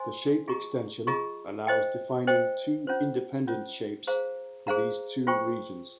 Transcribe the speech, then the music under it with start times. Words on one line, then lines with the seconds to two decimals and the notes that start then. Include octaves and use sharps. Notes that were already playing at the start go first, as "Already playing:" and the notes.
The shape extension allows defining two independent shapes for these two regions.
Already playing: C5 D#5 G#5 C6
0.48 F4 G#4 D#5 A#5 C#6
1.07 F4 G#4 D#5 A#5 C#6
1.67 C5 D#5 G5
2.27 C5 D#5 G5
2.87 C#4 F4 C5
3.48 C#4 F4 C5
4.07 G#4 C5 F5 A#5
4.67 G#4 C5 F5 A#5
5.27 F4 C5 G5 C#6